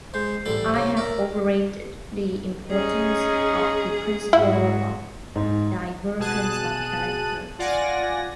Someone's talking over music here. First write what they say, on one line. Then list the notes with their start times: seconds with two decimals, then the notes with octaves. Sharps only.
I have overrated the importance of the principle of divergence of character.
0.14 G#3 C5
0.46 A1 G3 A4
0.74 C2 C#4
0.97 A#4 D5 E5
2.69 C#4 D#4 G#4
4.33 G#2 E4 F#4
5.36 G#2
6.19 B2 G#4 A5 F#6 D#7
7.59 F4 D5 F#5 G#5 A#6